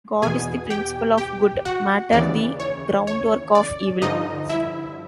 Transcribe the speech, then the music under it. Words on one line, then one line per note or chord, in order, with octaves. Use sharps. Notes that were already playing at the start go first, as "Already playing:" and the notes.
God is the principle of good, Matter the groundwork of Evil.
E2 B2 G#4 G#5
G4 G5
G4 G5
F#4 F#5
D#2 C#3 E3 D5
C#5
C#5
D5
G2 D3 F3 D#4 D#5
E4 E5